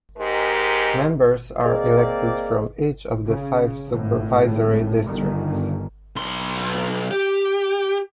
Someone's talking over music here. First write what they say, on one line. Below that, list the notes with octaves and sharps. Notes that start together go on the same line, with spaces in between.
Members are elected from each of the five supervisory districts.
G#2 G#3 G4 A#4
A#3 C4 G#4 D5 D#5
C#3
G#1 A2
G1 D#3
B1 C6
G4